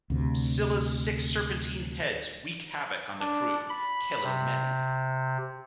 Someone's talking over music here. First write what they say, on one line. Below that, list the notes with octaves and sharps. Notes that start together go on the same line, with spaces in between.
Scylla's six serpentine heads wreak havoc on the crew, killing many.
D2 C3
D4
B5
C3